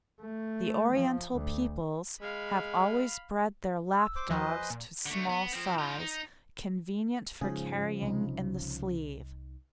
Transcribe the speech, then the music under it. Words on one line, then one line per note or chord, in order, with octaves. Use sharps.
The Oriental peoples have always bred their lap dogs to small size, convenient for carrying in the sleeve.
A3
F3
D2
G#3 F5 B5
E6
C5 D6
D#2 F3 F#4 B4 C5 D#5
G#5
A#2
D3 A3
B3
F3 C4
D#4 F4
D#4
G#2 C#3 F3 G#4
C2 D#4